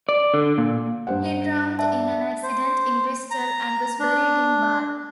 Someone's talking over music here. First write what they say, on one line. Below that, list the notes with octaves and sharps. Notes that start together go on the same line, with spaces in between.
He drowned in an accident in Bristol and was buried in Bath.
D5
D3
A#2
G2 C5 F#5
D5 E5 A5
C5
A#5
D4